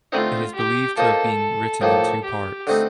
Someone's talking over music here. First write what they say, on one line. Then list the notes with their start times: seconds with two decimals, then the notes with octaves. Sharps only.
It is believed to have been written in two parts.
0.12 D3 A3 C4 D#4 F4
0.55 G4
0.98 A#3 F4 A4 C5 D#5
1.81 A2 F3 A#3 D#4 A4
2.24 G4
2.67 D3 A3 C4 D#4